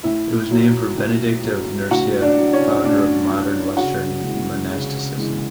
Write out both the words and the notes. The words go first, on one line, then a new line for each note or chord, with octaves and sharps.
It was named for Benedict of Nursia, founder of modern western monasticism.
A2 E4 E5
F#3
A2
F#3
A2 F#4 F#5
D4 D5
F#3
C#4 C#5
A2 D4 D5
F#3
C#3 F#4 F#5
E3 G#3
C#3
E3 G#3